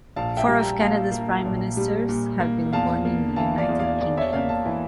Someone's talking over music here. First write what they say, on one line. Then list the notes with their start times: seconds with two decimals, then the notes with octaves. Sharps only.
Four of Canada's Prime Ministers have been born in the United Kingdom.
0.16 A#1 F5 A5
0.37 E5 G5
0.48 G3
0.59 G5 A#5
0.80 A#2 F5 A5
1.12 A#3
1.45 A#1
1.77 G3
2.09 A#2
2.40 A#3
2.73 E2 F5 A5
3.05 A#3
3.36 E3 F5 A5
3.58 D5 F5
3.69 E2
3.79 D5 F5
4.01 E2 D5
4.17 C#5 E5
4.33 A#3 D5 F5
4.49 F5 A5
4.65 E3